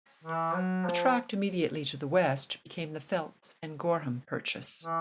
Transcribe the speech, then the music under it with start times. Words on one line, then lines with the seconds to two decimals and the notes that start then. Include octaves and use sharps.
The tract immediately to the west became the Phelps and Gorham Purchase.
0.24 E3
0.55 F#3
0.85 F3
4.84 E3